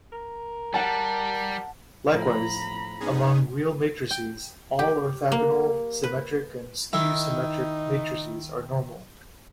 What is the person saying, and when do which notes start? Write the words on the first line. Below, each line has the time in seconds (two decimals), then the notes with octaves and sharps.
Likewise, among real matrices, all orthogonal, symmetric, and skew-symmetric matrices are normal.
0.12 A#4
0.74 G3 F#5 A5
2.14 A2 F3 A#5 B5
3.00 B3 C#4 D#4 G#4
4.11 G5
4.79 G4
5.32 A#3
6.03 B4
6.93 D#3 D#4 E4